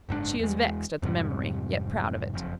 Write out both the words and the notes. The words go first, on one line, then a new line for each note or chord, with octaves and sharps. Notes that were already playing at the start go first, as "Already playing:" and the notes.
She is vexed at the memory, yet proud of it.
F#1 G#2 B2 D4
E2 G#3
F2 G#2 C3 G3
F#1 F2